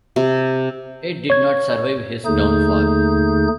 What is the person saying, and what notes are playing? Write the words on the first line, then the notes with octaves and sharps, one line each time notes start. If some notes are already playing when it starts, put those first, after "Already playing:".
It did not survive his downfall.
C3
C#5 G#6
D#2 D3 A3 D#4 G#4 G6